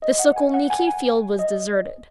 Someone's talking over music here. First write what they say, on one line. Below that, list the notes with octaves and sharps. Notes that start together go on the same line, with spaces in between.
The Sokolniki field was deserted.
D#5
F#5
G#5
F#5
G#5
F#5
G#5
D#5